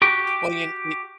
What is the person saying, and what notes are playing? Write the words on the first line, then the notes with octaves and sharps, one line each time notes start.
Well, you in i
F#4 G4 G5